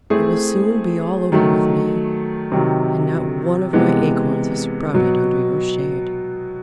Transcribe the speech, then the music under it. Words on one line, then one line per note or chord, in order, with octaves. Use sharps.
It will soon be all over with me, and not one of my acorns has sprouted under your shade.
A3 C4 E4 G#4 C5
D#3 F#3 A3
C3 D#3 F#3
C3 E3 G#3 B3
B2 F#3 B3